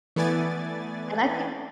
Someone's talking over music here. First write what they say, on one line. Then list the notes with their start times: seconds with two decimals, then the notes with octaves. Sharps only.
And I think
0.16 E3 A3 B3 D5 G#5 A6